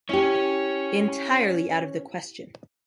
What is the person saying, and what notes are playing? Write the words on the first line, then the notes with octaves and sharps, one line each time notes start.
Entirely out of the question.
C#4 E4 G4 C#5